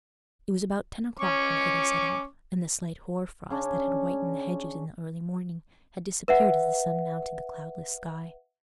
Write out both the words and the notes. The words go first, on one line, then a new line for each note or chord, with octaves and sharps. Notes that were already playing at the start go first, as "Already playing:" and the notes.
It was about ten o'clock when Hetty set off, and the slight hoar-frost that had whitened the hedges in the early morning had disappeared as the sun mounted the cloudless sky.
C#4 C#6 D6
C#3 C#4 D4
B4 E5 F#5